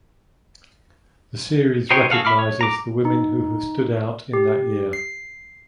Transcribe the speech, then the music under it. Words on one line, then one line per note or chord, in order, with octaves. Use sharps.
The series recognizes the women who have stood out in that year.
D#4 F#4 C5 C#5 G5
F#4 G#4 A4 F5 F#5
E5 B5 D6 F6
C#5
A#5 D6
D#4
G4
C7